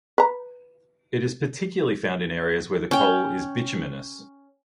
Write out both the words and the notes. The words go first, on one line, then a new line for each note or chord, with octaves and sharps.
It is particularly found in areas where the coal is bituminous.
B4 A#5
C#4 G5